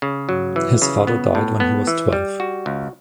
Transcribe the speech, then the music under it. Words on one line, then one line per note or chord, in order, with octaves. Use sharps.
His father died when he was twelve.
C#3
F#3
E3
C#3
B3
A2
B3
E3
G3
F#4
C#2